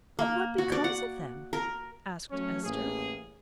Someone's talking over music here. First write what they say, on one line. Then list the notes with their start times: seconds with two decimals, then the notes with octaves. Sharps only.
"But what becomes of them?" asked Esther.
0.19 A#3
0.58 F#4
0.72 D5
0.84 F#5
1.53 A#4
2.31 F#3 A3 C#4 C#5
2.64 A1 A#3 G#4